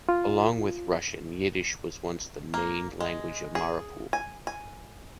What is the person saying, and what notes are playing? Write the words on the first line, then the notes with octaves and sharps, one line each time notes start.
Along with Russian, Yiddish was once the main language of Mariupol.
F4
A#3
G#3
G#4
G#5
G#5